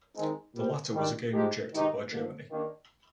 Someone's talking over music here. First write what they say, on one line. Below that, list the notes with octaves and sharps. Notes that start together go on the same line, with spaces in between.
The latter was again rejected by Germany.
D#3 G#3 C4 D#4
A#2 G3 C4 G4
D#3 G3 D4
G#2 F3 G#3 D#4 G4
G2 D#3 G#3 D#4 G4
D#2 D3 F3 A#3
D#2 D#3 A#3 D4